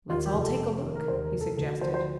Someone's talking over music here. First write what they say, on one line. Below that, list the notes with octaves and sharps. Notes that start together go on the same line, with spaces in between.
"Let's all take a look," he suggested.
D#2 F4
G4
F1
A4
F1
D#3
A#4
D#2 C5
A#4
F1
A4
D2 A4
F3 C5
C5